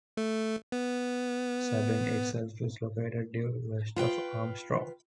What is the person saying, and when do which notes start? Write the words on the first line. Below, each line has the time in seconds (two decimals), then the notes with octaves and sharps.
Sabine itself is located due west of Armstrong.
0.17 A3
0.72 B3
3.96 F4 B4 G5